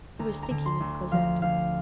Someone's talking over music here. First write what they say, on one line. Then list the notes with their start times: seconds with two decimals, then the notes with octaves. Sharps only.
He was thinking of Cosette.
0.19 D2 A#5
0.43 A#5
0.51 D3
0.65 C6
0.80 D2
1.12 F3 F5
1.42 D2 F5